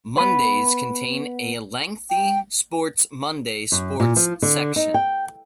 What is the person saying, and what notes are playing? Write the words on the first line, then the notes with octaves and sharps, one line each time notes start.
Mondays contain a lengthy "SportsMonday" Sports section.
B3 B4
G5
F#2
A#2
F3
D3
D#4
G5